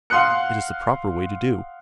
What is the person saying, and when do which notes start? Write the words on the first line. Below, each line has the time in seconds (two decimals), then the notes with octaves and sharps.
It is the proper way to do.
0.10 F5 F#5 C6 D#6 F#6 C#7